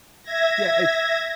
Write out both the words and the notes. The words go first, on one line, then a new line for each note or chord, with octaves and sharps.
Yeah. It's
E5 G#6 A#6